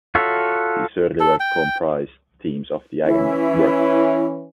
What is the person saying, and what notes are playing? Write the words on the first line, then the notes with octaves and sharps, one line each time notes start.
His early work comprised themes of the agony of work.
F4 F#4 A4 C#5 E5
A4
G5
E3 C#4 E4